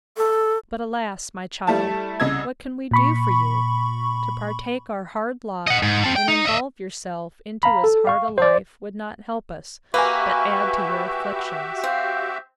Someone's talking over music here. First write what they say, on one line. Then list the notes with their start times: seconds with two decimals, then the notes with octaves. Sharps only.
But, alas! my child, what can we do for you?--To partake our hard lot, and involve yourself into as hard a life, would not help us, but add to your afflictions.
0.17 A4
1.67 G3 A3 E4 A5
2.20 C2 C#3 D#5 E6 G#6
2.91 A#2 B5 C#6
5.67 D#5 F#5
5.83 G#2
6.04 C4 A5
6.16 G5
6.28 D#4
6.45 D#5 E5
7.63 F5 A#5 B5
7.84 A4
8.07 F5 C#6
8.38 C5 D5
9.94 A#3 F#4 G4 B4 E5 G#5 C#6
11.84 C4 F5